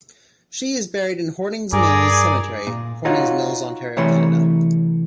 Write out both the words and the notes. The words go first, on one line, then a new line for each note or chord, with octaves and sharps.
She is buried in Hornings Mills Cemetery, Horning's Mills, Ontario, Canada.
G2 G#4 A#4 D5 G#5
A#2
D#4 F4 F#4 C#5
C3 E3 A3 C#5 C6